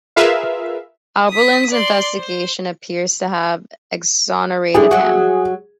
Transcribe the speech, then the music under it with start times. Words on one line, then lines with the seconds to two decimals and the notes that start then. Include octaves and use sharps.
Abberline's investigation appears to have exonerated him.
0.16 F4 G#4 A#4 B4 E5 F5
1.30 D#6 B6
1.71 D5 C6
2.19 C5
4.75 D3 G3 E4 G#4
4.91 F#3 F#4